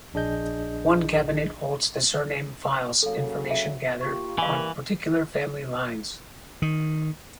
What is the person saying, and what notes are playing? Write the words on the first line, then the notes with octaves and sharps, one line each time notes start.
One cabinet holds the surname files-information gathered on particular family lines.
A#1 D4 G#4 D#5 G6
C#3 F#3 A#3 A4 F5
E5
A#3 F4 G4 C#6
E3 G3 A#3 B4 F5 G#5
D#3